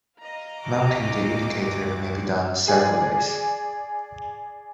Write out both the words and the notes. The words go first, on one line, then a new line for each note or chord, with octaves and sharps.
Mounting the indicator may be done several ways.
D#5 F5 A#5
D2 F#4 D6
G#4 D5